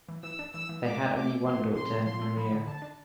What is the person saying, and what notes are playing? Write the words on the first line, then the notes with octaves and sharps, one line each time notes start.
They had only one daughter, Maria.
E3
E3 E6
D4
E3 E6
E3
G#3 D6
G#3
A3 D6
A3
F3 C6
A3
C3 C6
C3
F3 C6
A3
F3 B5
D3
D3 A5
D4